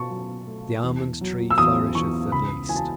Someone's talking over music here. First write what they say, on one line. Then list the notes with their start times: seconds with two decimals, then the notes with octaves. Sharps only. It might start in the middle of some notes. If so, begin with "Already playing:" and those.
The almond-tree flourisheth at least.'
Already playing: B2 A5 C#6
0.10 F#3
0.47 A3
0.83 E2
1.21 F#3
1.51 E6
1.58 E2 D#6
1.95 E2 C#6
2.32 C#2 B5
2.69 E3 G#5
2.76 A5